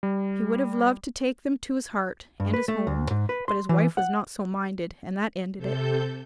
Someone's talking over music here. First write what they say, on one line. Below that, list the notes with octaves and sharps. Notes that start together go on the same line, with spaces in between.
He would have loved to take them to his heart and his home; but his wife was not so minded, and that ended it.
G3
G2
B4
A3
D2
G#2
B4
C6
E3
F#5
C3 A4 G6